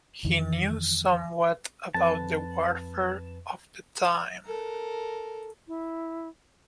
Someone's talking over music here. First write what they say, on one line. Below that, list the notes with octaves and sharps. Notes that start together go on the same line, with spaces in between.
He knew somewhat about the warfare of the time.
F2 D#3 E3
F2 B4 A5
A4 A#4
E4